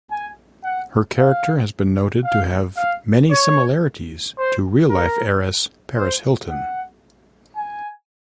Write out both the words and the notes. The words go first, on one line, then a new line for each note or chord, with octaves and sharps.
Her character has been noted to have many similarities to real-life heiress Paris Hilton.
G#5
F#5
F5
F5
F5
C#5
C5
A#4
C5
F#5
G#5